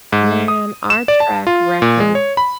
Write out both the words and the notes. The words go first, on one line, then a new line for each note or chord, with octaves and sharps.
Man, our track record
G#2
D#6
E7
D5
A5
F4
A#2
G#3
C#5
B5